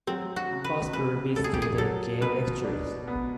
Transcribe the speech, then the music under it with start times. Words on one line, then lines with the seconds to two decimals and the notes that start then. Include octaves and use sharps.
Foster visited and gave lectures.
0.07 F#3 C4
0.36 F#4
0.51 C#3
0.64 B4
0.93 C#3 B4
1.36 A3 A4
1.44 G#4
1.54 G4
1.62 G#4
1.78 F#3 A4
2.21 B2 B4
2.65 D4
3.07 B3